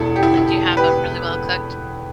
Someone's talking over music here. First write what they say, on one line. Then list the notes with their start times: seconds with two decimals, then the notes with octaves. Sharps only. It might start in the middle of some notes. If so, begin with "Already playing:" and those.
Like, do you have them really well cooked?
Already playing: E1 E2 E4 A4
0.16 G4
0.23 E4
0.37 E4
0.46 G4
0.77 G4 B4